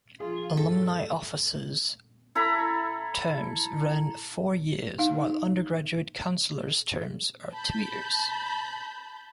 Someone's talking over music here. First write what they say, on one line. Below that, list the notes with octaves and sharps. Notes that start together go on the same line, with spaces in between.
Alumni officers' terms run four years, while undergraduate counselors' terms are two years.
F3 F4 G#4
G2 A4
E4 A4 A#5 B5
D#4 F5
A5 B5 G6